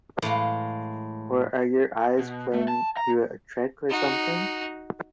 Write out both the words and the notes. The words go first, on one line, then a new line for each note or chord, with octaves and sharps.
Or are your eyes playing you a trick or something?
A2 E3 G#3 F5
B2
A3
A5
A#5
D#4 F#4